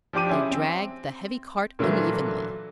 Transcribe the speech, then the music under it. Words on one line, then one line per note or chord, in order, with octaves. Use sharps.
They dragged the heavy cart unevenly.
F3 D4 G4 D6 D#7
C#4 E4 G#4
C4
A#2 D3 E3 F#3 A3